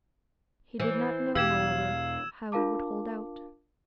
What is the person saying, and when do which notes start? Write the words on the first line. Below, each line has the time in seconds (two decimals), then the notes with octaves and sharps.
He did not know, however, how it would hold out.
0.80 E3 C5
1.35 E2 B2 E3 G4 F5 E6 G#6 E7
2.52 D4 F4 A#4 F5 A5 D6